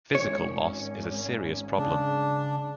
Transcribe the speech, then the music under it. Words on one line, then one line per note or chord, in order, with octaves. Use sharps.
Physical loss is a serious problem.
G#1 C#4 C#5
C#3 D4